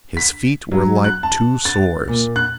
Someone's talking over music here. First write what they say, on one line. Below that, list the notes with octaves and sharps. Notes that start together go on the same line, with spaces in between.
His feet were like two sores.
B6
F#3
F#6
A5
A6
A#2
F#6